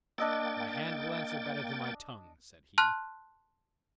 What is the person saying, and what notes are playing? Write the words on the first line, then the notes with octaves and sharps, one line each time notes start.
'My hand will answer better than my tongue,' said he.
A#3 D4 D#5 G5 E6 A6
A5 C6 F6 F#6